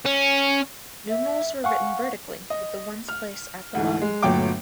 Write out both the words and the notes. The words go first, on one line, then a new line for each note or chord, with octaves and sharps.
Numerals were written vertically, with the ones place at the bottom.
C#4
E5
F5 F#5 G#5 C#6
D#5
F6
D2 G#2 E3
G#3
G1 A#2 F#3 A3 G5 D6